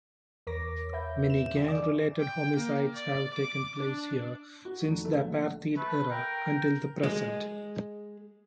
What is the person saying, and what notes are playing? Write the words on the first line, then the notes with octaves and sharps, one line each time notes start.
Many gang-related homicides have taken place here since the Apartheid-era until the present.
E2 A#4 C#5 D6 A#6
B4 E5 G6
E7
D5 D6
G5
A#3
D5
D6
D4
F#4
F1
A3
A#1
A3 B4
A#4 G5
G#3